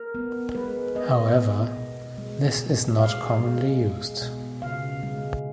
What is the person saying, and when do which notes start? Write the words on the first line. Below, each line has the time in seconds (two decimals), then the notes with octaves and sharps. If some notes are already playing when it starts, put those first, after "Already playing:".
However, this is not commonly used.
Already playing: A#4
0.15 B3
0.55 G#3 B4
0.95 B3 D#5
1.36 B3
1.77 B2
2.18 G#3
2.58 B2
2.99 G#3 F5
3.39 G#3
3.81 G#3
4.22 B2
4.62 C#3 F5
5.03 G#3